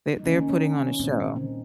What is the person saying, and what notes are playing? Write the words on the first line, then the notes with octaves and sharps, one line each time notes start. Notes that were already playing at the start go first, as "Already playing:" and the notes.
They're they're putting on a show.
D#4
D#3 A#3 C#4
D#4
C#4
A#2 G3 A#3 C4
C#4
C4
D#4